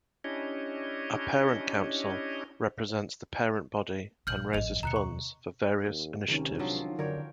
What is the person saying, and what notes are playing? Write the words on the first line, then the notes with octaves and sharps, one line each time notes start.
A parent council represents the parent body and raises funds for various initiatives.
C#4 D4 E4 G4 C#5 D#5
A#1 G#3 F6 G6 F#7
A1 F2 D#5 F7
D#2 B2 A#5 F#6 C#7
C#6
D#2
C#2 C3 D#3 C#4
F3 F#3 D4 F4
F#2 D3 A#4 C#5 D5 G5